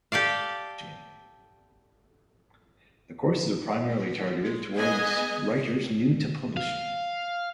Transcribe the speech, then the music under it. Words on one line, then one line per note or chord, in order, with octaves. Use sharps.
The courses are primarily targeted toward writers new to publishing.
G4 A4 D5 F5
G#3
B3 G#4 D#5 G#5
F5